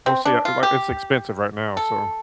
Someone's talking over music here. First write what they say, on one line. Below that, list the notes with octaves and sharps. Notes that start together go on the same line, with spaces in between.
we'll see, I like, it's expensive right now, so
C4
D4
F4
G4
A4